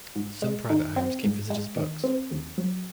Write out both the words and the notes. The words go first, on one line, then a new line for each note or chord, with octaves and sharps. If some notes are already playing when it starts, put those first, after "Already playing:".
Some private homes keep visitors' books.
G#2
G#3
D#3
C4
G#2
G#3
D#3
C4
D#2
F#3